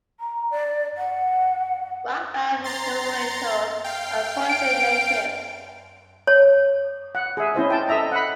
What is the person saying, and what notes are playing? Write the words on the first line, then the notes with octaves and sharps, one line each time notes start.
Rock band the Delorentos are Portrane natives.
A#5
D5
F#5
A#5 C6 A6
F5 G5
D7
C#5
F#5
G#4 E5
C#4 E4 C5 D#5
G5 A5
A4 D#5 E5 A#5
F#5 B5